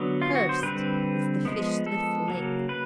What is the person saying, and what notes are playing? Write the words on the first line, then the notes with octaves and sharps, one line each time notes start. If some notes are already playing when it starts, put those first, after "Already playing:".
"Cursed is the fishless lake!"
Already playing: D3 F#3 B3
F4
F#4
C5
D3 G3 C4 B4
F3 G#3 B3
A4
C#3 F#3 A#3
B4